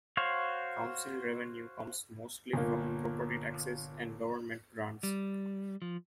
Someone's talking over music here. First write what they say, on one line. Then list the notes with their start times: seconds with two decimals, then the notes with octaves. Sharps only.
Council revenue comes mostly from property taxes and government grants.
0.17 F#4 C5 C#5 F5
2.53 G1 A#2 A#3
5.03 G3
5.82 F3